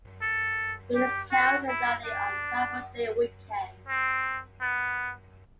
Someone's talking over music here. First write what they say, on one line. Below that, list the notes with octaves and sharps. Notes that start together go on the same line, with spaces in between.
It is held annually on Labor Day weekend.
A4
G4
F#4
E4
D4
C4
B3